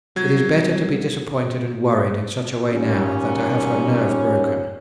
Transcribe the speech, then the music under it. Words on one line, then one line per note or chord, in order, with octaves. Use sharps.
It is better to be disappointed and worried in such a way now than to have her nerve broken.
C2 F#3 G#6
D#2 A#2 G3 C#4